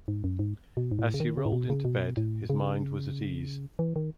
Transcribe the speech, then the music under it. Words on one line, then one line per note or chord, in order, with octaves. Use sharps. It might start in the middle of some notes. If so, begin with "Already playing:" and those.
As he rolled into bed his mind was at ease.
G#2
F#2
G#2
B2
G#2
A2
C#3
D#3
C#3
A2
B2
C#3
B2
A2
C#3
E3
D#3